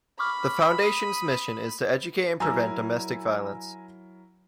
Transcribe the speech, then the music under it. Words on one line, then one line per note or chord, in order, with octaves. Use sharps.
The Foundation's mission is to educate and prevent domestic violence.
B5 C#6 D6 F6
D#6 D#7
F#3 E4 A#4 G#5 A#5 E6